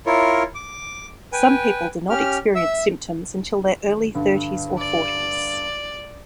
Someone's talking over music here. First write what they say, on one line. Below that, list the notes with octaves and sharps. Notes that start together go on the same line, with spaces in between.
Some people do not experience symptoms until their early thirties or forties.
E4 F4 A#4 C#5
D6
B4 G5 G#5
C#4 G4 F6
E5 E6
G2 D3
D5